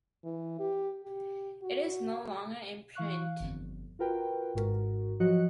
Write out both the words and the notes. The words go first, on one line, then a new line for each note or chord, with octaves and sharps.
It is no longer in print.
E3
G4
G4
F#4
E3 F5 C#6 F#6
G1 F2
F4 F#4 A#4 B4 G5
G#1 G#2 F#4 A#4
F3 F#3 F#4 D#5 F#6 C#7